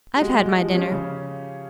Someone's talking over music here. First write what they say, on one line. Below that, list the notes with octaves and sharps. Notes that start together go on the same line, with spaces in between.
I've had my dinner.'
G4
G#3 F#4
G#3 F#4
F3 G4
C#4
C#3